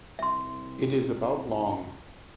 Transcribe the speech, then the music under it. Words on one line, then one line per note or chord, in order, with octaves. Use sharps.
It is about long.
C2 E5 C6